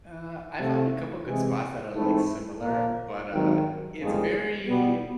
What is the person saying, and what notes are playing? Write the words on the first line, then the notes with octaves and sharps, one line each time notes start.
Uh, I found a couple good spots that are, like, similar, but, uh, it's very
C3 F3 A3
C3 E3 G#3
G#2 E3 A3 C4 E4
A#2 F3 A#3
G#1 G2 D#3 F#3
G1 F2 C#3 F3 G#3
B2 G3 B3